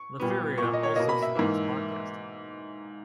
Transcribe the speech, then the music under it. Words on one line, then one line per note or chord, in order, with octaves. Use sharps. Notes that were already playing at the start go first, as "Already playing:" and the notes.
Liferea also supports Podcasting.
Already playing: C#6
A#2 G3 B3
A#2 A#3 C#6
D#5
C#5
B2 A#3 D#5
B5
E5
G#2 E3 A#3